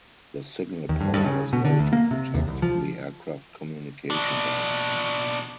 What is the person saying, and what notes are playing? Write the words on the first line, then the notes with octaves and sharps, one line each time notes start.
The signal power was low to protect the aircraft communication band.
D#2
G2
G2
C#3
B2
D3
D2
A#3
C3
D#2
C2
F3
B2 D4